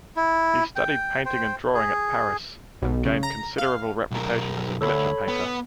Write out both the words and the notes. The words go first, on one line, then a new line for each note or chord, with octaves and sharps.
He studied painting and drawing at Paris, and gained considerable reputation as a miniature-painter.
E4
G5
C5 G5
G#4
B1
C#3
A#5
F5
B1 A#4
D2 A4 C#5 B5
B3